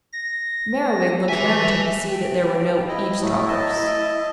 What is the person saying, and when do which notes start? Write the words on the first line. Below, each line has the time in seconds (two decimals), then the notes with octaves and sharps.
Merriwig looked round him to see that there were no eavesdroppers.
0.13 A#6
1.29 B4 E5 G#5
2.07 G5
2.88 E4 D#5
3.20 A2 F#3 A3 E4
3.48 D#5 A5